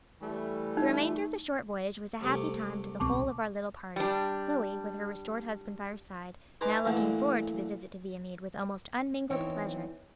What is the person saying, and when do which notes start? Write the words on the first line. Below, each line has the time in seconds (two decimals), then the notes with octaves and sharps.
The remainder of the short voyage was a happy time to the whole of our little party, Chloe, with her restored husband by her side, now looking forward to the visit to Viamede with almost unmingled pleasure.
0.21 E3 G3 A3
0.77 D#4
2.21 C2 C3 A3
3.00 D1 B1 C4 A5 C#6 D6
3.96 G3 D4
6.61 D#4 B4 C5 G#5 A#5 D6
6.85 A#2 D3 E3 A3 A#3
9.30 E2 E3 C4 D#4 C#5 G5